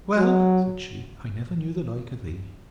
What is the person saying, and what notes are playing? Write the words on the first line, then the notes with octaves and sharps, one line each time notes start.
Well, said she, I never knew the like of thee.
F#3